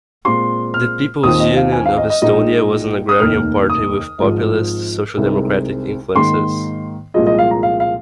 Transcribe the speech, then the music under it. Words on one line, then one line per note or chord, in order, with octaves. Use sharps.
The People's Union of Estonia was an agrarian party with populist, social democratic influences.
A#2 G#3 C4 F4 C6
F6
D#2 D#3 C4 F4 D#6
D#5
F5
G#5
F5
D#5
D#5
A#1 A#2 G#3 D#4 D#5
D#6
F1 D#2 D#3 A#3 D#4 F6
D#6
G#1 G#2 F3
C2 C3 G#3 C4 D#4
G#2 D#3 A#3 C6
C2 A#2 F3 G#3 F4 D#5
D#5
F5
A#5
F5
F5